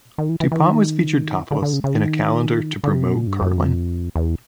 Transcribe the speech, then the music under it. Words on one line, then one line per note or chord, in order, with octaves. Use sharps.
Dupont was featured topless in a calendar to promote curling.
D#3
E3
E3
E3
D#3
D3
D3
C#3
C#3
D#3
D3
C3
B2
A#2
G2
F#2
F2
E2